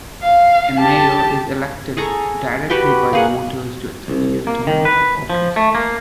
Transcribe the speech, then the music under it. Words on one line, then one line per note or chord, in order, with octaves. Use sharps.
A Mayor is elected directly by the voters to a three-year term of office.
F5
G4 A5
G#4 A4 A#5 C#6
F#4 G4 B4 G5
A#3 G#4 F#5
C2
A#3
D#3
B4
F3
A3
A#3